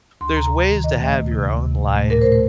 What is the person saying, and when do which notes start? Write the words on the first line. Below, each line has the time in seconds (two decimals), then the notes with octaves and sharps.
there's ways to have your own life
0.21 D2 C6
0.36 C3 A#5
0.53 D#2
0.69 D#3
0.84 A#2 D#5
1.00 A3
1.16 D2
1.32 C3
1.48 D2
1.63 C3
1.79 A2
1.95 A3
2.10 A#2 A#4
2.22 C5
2.26 A3
2.32 C5